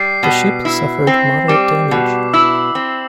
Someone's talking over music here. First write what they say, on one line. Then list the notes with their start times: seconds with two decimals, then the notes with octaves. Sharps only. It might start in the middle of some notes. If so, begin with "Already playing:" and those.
The ship suffered moderate damage.
Already playing: G3 C7
0.23 B2
0.65 E4
1.07 C4
1.48 G3 D6
1.91 B2
2.34 E4 E6
2.75 C4